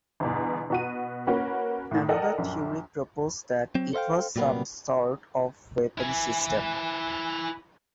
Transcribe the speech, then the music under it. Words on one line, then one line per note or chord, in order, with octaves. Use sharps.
Another theory proposed that it was some sort of weapon system.
G1 E2 B2
B2 F#4 D#7
A#3 C#4 F#4 B4
A2 D#3
A4 A#4 D5 D#5 F#5 G5
A#1 F#2
F#3 C4
A4 C5 E5 F5 G5
A#2 F#3 G3 A#3 B3
E4 G#5